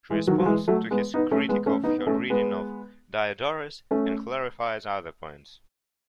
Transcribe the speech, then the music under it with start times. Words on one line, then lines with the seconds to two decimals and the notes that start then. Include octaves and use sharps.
She responds to his critique of her reading of Diodorus and clarifies other points.
0.10 E3 G#3
0.27 D#3 F#3
0.40 F#3
0.46 E3 G#3
0.68 F#3 A3
0.91 G#3 B3
1.14 B3 D#4
1.31 A3 C#4
1.49 G#3 B3
1.66 A3 C#4
1.84 B3 D#4
1.98 B3
2.07 A3 C#4
2.30 G#3 B3
3.91 A3 C#4